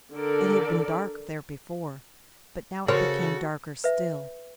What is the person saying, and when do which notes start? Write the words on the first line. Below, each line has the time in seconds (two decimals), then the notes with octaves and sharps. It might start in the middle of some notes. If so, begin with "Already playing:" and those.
It had been dark there before, but now it became darker still.
0.14 D3 A4 A#4 D5
2.88 C#3 F#4 A4 A#4 C5 C#5
3.84 B4 E5